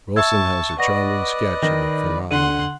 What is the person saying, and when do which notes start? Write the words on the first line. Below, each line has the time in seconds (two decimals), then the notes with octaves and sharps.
Wilson has a charming sketch of the phenomenon.
0.16 E5 A5 C#6 E6 G#6
0.79 B4 D5 D#5 F#5 C#6 A#6
1.62 D#3 A#6
2.31 D3 F#5 C6 D#7